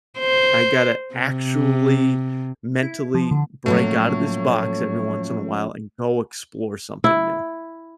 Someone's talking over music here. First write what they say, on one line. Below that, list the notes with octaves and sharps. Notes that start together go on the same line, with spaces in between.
I gotta actually mentally break out of this box every once in a while and go explore something new."
C5
C3
E4
F3
D3
A2 F3 F#3 A3 A#3 C#4 C#5
E4